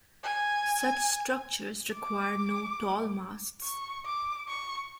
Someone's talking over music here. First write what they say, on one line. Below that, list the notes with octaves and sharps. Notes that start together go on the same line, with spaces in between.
Such structures require no tall masts.
G#5
D6
C#6
D6
C#6